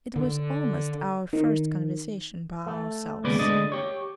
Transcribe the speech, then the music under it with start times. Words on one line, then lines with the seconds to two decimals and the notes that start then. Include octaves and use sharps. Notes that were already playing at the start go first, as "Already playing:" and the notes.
It was almost our first conversation by ourselves.
0.16 D3
1.33 D#3
2.66 A3
3.24 D#2 C#3 G#3 B3 B4 D5
3.39 D2 D3 G#3 D4 D5 D#5
3.72 G4 C#5